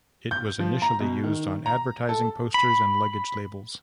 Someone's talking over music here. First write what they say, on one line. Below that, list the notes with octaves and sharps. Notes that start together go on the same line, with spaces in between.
It was initially used on advertising posters and luggage labels.
G6
F3
A#5
B2
D#3
A#5
A4
B5